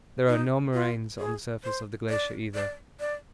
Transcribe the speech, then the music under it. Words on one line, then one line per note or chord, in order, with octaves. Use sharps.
There are no moraines on the surface of the glacier either.
D#4
F4
G#4
C5
D5
D5
D5